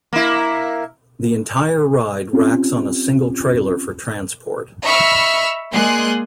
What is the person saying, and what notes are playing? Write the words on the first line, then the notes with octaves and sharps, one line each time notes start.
The entire ride racks on a single trailer for transport.
A#3 E4
C4 C#4 F4 G4
D#5 E5 B5 C#6 E6 F6
G#3 A#3 G#4 D5 C6 F#6